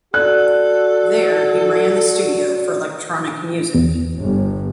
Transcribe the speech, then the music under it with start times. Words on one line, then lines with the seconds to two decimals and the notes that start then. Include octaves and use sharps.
There he ran the studio for electronic music.
0.14 F#4 A4 D5 F#6
3.75 E2
4.19 G1